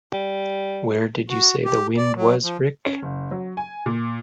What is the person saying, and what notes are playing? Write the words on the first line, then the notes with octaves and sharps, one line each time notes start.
Where did you say the wind was, Rick?
G3
F#4
G4
D5
F#3
F3
C#4
F#1
F#3
G#5
A#2